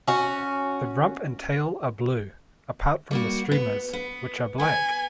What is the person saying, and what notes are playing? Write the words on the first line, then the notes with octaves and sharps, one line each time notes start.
The rump and tail are blue, apart from the streamers, which are black.
C#4 F#4
G3 A#3 F#4
B3
B3
B3 G#5